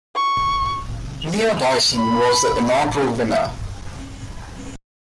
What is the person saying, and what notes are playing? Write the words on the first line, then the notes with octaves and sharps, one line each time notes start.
Mia Dyson was the inaugural winner.
C#6
B5